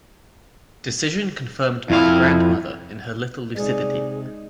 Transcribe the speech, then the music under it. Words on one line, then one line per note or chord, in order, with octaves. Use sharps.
Decision confirmed by the grandmother in her little lucidity.
F2 E4 F5
C3 G#3 D#4 G#4 D5